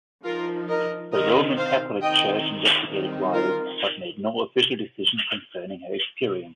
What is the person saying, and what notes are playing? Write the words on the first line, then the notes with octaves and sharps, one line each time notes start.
The Roman Catholic Church investigated Wise, but made no official decision concerning her experiences.
F3 D#4 F4 A#4
A#4 D#5
D#3 C4 D#4 A#4 D#5
C5 F5
D#3 C4 D#4 D#5 G5
D#3 G3 C4 D#4
F4 A#4